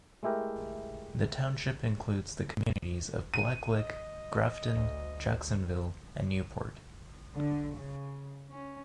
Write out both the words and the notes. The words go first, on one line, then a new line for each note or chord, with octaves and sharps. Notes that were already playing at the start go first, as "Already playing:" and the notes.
The township includes the communities of Black Lick, Grafton, Jacksonville, and Newport.
G#3 A3 E4 G4 A#4
D#7
D#5
D2
D3
C#3
C#4